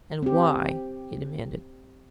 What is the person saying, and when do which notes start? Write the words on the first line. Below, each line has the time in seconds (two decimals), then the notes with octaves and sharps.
"And why?" he demanded.
0.23 C4 G4